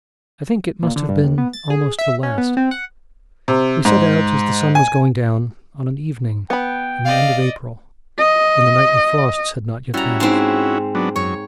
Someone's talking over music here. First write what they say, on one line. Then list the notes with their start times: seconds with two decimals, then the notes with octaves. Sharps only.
I think it must have been almost the last. We set out as the sun was going down on an evening in the end of April, when the nightly frosts had not yet vanished.
0.83 A#2
0.96 D3
1.09 G2
1.23 D#2
1.38 B3
1.53 A6
1.70 G#4
1.99 E5
2.23 C#4
2.38 B3
2.57 C4
2.71 F#5
3.48 C3
3.85 G#2
4.75 G#5
6.50 B3 G5 B5
7.05 D5 D#5 F5
8.19 D#5
9.94 G3 C#4 E4 F#4 A#5
10.20 G#2 C4
10.95 F#3 B3 D4
11.16 F#2 C#5 C#6